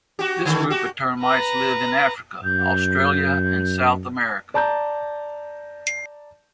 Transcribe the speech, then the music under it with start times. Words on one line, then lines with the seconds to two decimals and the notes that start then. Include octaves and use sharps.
This group of termites live in Africa, Australia and South America.
0.19 F#4 G4
0.45 D3 D#3 A3
0.70 F#4 G4
1.21 B4 A#5
2.44 F#2 G6
4.54 D5 A5 A#5 G6